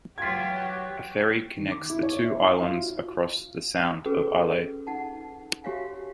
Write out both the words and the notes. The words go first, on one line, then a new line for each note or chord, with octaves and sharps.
A ferry connects the two islands across the Sound of Islay.
E3 F#3 F4 G4 G#6 B6
F#4
D#3
D6
E4
C#5
E5
F5
F4
F#4
C#4 F#4 G#4 A4 B4
D#4 F#5 A5
F#4 G4 C#5 E5 F5 G#5